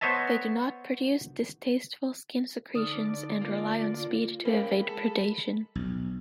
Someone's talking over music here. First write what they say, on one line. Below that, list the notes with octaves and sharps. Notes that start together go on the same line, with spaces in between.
They do not produce distasteful skin secretions and rely on speed to evade predation.
B3 C5 C#5 D#5 E5 A5
D3 D#4 D5 D#6 F6
A#3 F4
G#3 A#3 C#4 G4 A#4 C5 F5 B5
G#4 A4
B1